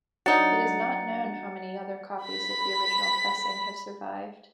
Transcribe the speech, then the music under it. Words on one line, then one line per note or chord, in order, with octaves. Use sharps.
It is not known how many other copies of the original pressing have survived.
D#3 F#3 D4 D#4 F#5 A6
B5 B6